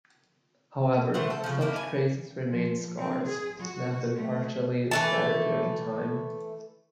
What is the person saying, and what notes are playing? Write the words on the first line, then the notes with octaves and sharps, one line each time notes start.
However, such traces remain scarce and have been partially scattered during time.
A3 E4 C5 F#5
A4
C#3 F3
A#3 D4 E4
G#5
F3
C4
G#4
F#4
A3
E3 A3 A5